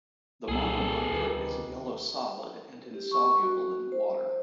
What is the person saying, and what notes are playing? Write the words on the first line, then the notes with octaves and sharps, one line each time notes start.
The monohydrate is a yellow solid and insoluble in water.
C2 A#2 G3 A#3 G#4 A4
D2 C3 D#3 F4 B4 D6
G4
C#6
F#4
C5